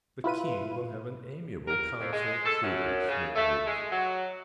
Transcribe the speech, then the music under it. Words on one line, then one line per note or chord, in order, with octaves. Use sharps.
"The king will have an amiable consort, truly," sneered Wolsey.
E4 F4 B4 D#7
A#4
F2
G#3
A4
F#2
C#3
A3
G#3
F#3